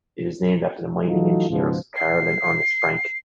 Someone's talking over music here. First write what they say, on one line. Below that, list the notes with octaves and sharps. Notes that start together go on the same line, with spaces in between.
It is named after the mining engineers, Carl and Ernest Francke.
E3 F#3 A3 D#4 F4 F#4
C#2 G#2 B2 F3
C7